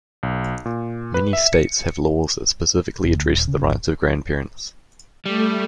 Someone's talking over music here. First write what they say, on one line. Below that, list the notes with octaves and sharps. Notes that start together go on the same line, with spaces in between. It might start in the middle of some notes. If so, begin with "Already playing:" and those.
Many states have laws that specifically address the rights of grandparents.
B1
A#2
B4
E5
C#7
F1
D2
D#1
C#3
G#1
G3 A3